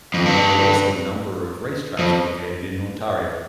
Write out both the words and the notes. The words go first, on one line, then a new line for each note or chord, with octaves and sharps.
There are also a number of racetracks located in Ontario.
F2
G2
F2